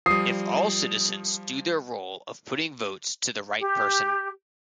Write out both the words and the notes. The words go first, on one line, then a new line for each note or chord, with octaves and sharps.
If all citizens do their role of putting votes to the right person.
F3 G3 D#6 C7
G4